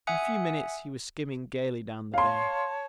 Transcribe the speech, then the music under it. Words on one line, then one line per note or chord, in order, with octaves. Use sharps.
In a few minutes he was skimming gaily down the bay.
E5 F#5 G#5 D#6 F#6 C#7
C#5 F5 A5 C6